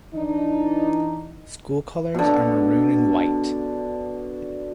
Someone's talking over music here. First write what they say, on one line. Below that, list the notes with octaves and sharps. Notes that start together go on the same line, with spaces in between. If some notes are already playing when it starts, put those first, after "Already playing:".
School colors are Maroon and White.
E3 D4 D#4
B2 D3